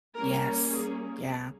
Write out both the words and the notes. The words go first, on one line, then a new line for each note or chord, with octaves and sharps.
Yes. Yeah.
G3 A#3 C#4 A#4
G#4